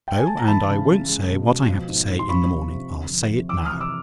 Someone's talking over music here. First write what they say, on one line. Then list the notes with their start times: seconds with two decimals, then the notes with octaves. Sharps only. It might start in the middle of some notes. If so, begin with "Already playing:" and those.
No, and I won't say what I have to say in the morning; I'll say it now.
0.08 G5
0.18 G#5
0.27 A5
0.37 A#5
0.47 E3 A5 B5
0.68 C#3
0.88 C#3
1.08 G#3
1.28 B2
1.48 B2
1.69 F3
1.88 G#2
2.09 G#2
2.19 C6
2.29 F3 B5 C#6
2.49 C3
2.69 C3
2.90 D3
3.10 F2
3.30 F2
3.49 E3 D6 E6
3.65 D#6 F6
3.71 C3
3.80 D6 E6